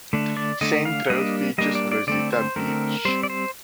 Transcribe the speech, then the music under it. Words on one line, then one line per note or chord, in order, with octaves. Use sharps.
Centro features Rosita Beach.
D3 A3 D4
D5
D3 A3 D4 D#5
F5
G3 A#3 D4 D#5
G3 A#3 D4 D#5
D5
D5
D3 A3 C4 D5
C5
D3 A3 C4 A#4
G3 C4 C5
D5
C5